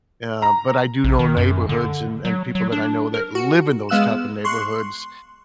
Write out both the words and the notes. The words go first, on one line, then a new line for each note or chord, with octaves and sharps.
uh, but I do know neighborhoods a and people that I know that live in those type of neighborhoods,
A#5
A#1
D#3
F#2
D3
F#3
F#3
D4
A#4
F#4
G#3 B3 F5 E6 F#6 E7
C6 C#6 F#6